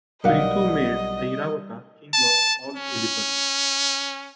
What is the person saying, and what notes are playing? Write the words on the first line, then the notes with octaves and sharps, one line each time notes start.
Prithu made Airavata king of all elephants.
B1 G3 E4 A#4 D#5 F5 F#5
A5
C#4